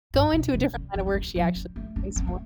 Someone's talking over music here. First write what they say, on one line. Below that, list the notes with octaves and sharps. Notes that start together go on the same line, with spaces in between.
go into a different kind of work she actually likes more.
G2
B2
C3
D3
E3
A3
G3
F3
G3
A3
D4
C4
A3